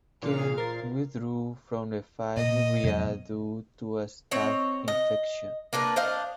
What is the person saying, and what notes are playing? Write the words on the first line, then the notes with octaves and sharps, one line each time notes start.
Ken withdrew from the fight with Rea due to a staph infection.
A#2 E3 D4 D5 F5
G#4
F4 A#4 C5 A6
A#2 D#5
F2 B2 F#3
C4 C#5 D#5
D#5
A#3 D4 A#4 B4
D4 C5 D#5 F5